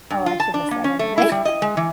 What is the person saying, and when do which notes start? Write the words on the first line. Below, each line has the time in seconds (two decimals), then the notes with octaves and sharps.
Oh, I shouldn't have said anything.
0.10 G2
0.26 F4
0.40 A5
0.54 D4
0.71 A#3
0.84 C#4
0.99 A3
1.18 E4
1.32 G3
1.45 D#5
1.62 G#3
1.77 E3